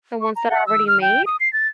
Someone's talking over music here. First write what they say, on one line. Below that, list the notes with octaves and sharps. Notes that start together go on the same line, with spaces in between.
The ones that are already made,
C#6
A#5
F#5
E6
F6
G5
D#6
C7
A6